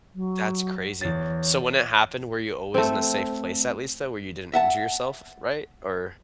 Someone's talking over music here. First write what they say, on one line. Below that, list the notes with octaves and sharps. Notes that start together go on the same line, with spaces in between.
That's crazy, so when it happened, were you always in a safe place, at least, though, where you didn't injure yourself f f right, or
F#3
E2 C#5 A6
A3 C4
E5 F#5 A5